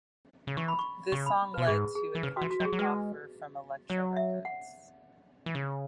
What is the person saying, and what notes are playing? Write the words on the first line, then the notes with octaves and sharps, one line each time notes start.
This song led to a contract offer from Elektra Records.
C#3
E3 C#6
B5
C#6
C#3 C#6
B5
B2 B4
G#2 G#4
G#4
E3
C#3 B4
E3 F#4
F#4
F#3
G#4
F#3
G#3 B4
F#3 C#5
E5
F#5
E3
C#3